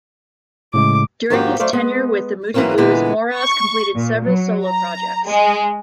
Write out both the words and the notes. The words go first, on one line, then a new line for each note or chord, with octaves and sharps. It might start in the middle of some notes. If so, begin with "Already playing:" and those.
During his tenure with the Moody Blues, Moraz completed several solo projects.
A2 C#3 G#3 D6
G#2 D#3 F3 A#3 F#4 G4
F#3 A3 C5 D5 F5
G#3 B3
G#2 E3 F#3 A#3 C4 C#4
A#2 D3 E3 G#3 B3
C#6
A#2
F#3
A#5
G#3